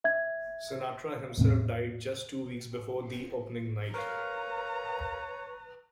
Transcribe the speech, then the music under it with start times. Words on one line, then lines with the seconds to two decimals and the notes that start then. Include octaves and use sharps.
Sinatra himself died just two weeks before the opening night.
0.04 E5 G#6
1.38 E2 A2 C3
3.94 A#4 B4 C#5 F5 A#5